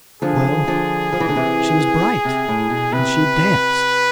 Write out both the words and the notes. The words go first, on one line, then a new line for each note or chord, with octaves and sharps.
Well, she was bright; and she danced.
D3 F3 G#4
D3 F3
F3
E3
D3
C3 E3
C3
A2
B2
C3 B4